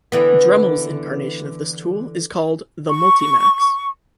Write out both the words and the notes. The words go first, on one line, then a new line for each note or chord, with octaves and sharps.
Dremel's incarnation of this tool is called the "Multi-Max".
D3 E3 B3
C#6